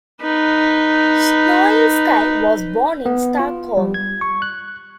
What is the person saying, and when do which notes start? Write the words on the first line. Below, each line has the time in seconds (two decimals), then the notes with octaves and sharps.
Snoilsky was born in Stockholm.
0.21 D#4 B4
3.06 B3
3.39 F4
3.77 G3
3.94 G#6
4.21 C#6
4.42 F#6